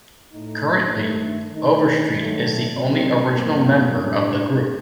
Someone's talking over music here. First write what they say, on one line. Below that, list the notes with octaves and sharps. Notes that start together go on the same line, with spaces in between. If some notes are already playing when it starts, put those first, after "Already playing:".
Currently, Overstreet is the only original member of the group.
A2 A3 D#4
G2 D#3 A3
D#3 A3 D#4
D#3 F#3 A3
C3 F#3 C4 D#4
G2 F#3 A#3
A2 G3 D4